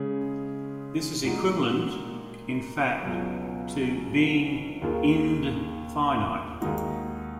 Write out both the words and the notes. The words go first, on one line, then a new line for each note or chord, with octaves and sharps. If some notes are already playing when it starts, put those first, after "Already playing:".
This is equivalent, in fact, to being 'ind-finite'.
Already playing: C#3 G#3 C#4 G#4
A#2 G#3 D#4 F#4
C#2 B2 F#3
D#2 D#3 A#3 F4 G#4
D#2 D#3 G#3 D#4 F#4